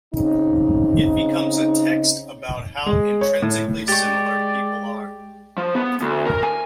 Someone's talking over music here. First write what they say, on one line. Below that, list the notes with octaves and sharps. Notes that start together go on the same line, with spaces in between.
It becomes a text about how intrinsically similar people are.
C#3 C4 D#4
G#3
C#5
A2
G#3 G4 D5 C#6 A6
F3
B3
D2
A#4
G#5